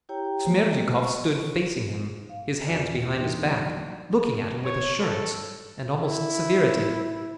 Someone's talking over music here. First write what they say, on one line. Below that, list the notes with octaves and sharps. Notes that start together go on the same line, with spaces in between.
Smerdyakov stood facing him, his hands behind his back, looking at him with assurance and almost severity.
E4 G4 C#5 G5 A#5
G#3 A#3 F#4 C5
C5 C#6
F5
E2 G3 F4 F#4 D5
G4
E3 D4 D#4 F#4 G5 C6
F#3 G3 A#3 D5 D#5 F5
C#5
A4
E4